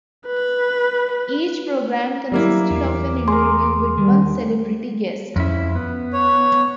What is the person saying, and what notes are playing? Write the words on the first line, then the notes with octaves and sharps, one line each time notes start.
Each programme consisted of an interview with one celebrity guest.
B4
F#3 G3 A#3 E4
E2 D6
G#4 A#4 C6
D#3 G3
F2 C#4 E4
B3
C#5